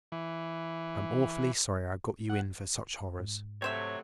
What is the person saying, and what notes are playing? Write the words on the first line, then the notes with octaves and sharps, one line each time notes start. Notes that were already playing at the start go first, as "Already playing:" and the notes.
I'm awfully sorry I got you in for such horrors.
E3
F#5
G#2
C3 F#3 A3 C4 C5 C#5 E5